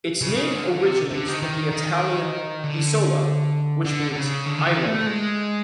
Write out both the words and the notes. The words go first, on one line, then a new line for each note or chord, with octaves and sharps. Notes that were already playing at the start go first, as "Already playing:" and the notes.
Its name originates from the Italian "Isola", which means 'island'.
C#3
D3
C3
D3
D#3
D#3
D#3
D3
D3
D3
C#3
D3
D#3
E3
A3
G#3